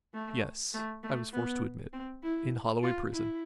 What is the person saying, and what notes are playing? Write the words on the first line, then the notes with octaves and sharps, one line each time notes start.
"Yes," I was forced to admit; "in Holloway prison."
A3
A3
A3
B3
C4
E4
F4
E4